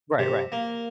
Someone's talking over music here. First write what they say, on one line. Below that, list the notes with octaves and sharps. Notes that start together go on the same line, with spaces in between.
Right, right.
C3
A#3